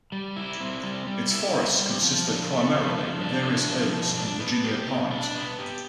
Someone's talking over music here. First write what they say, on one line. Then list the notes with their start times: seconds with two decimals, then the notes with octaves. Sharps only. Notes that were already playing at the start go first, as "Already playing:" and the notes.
Its forests consist primarily of various oaks and Virginia pines.
0.12 G3
0.36 E4
0.60 C4
0.84 G3
1.07 G3
1.30 E4
1.54 C4
1.78 G3
2.02 F3
2.27 D4
2.50 A3
2.73 F3
2.98 F3
3.21 D4
3.44 A3
3.68 F3
3.93 B2
4.16 D4
4.40 B3
4.64 G4
4.87 B2
5.11 D4
5.35 B3
5.59 G4